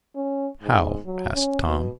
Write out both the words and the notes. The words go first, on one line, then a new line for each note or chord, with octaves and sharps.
"How?" asked Tom.
C#4
G#2
F#3
C#4
B2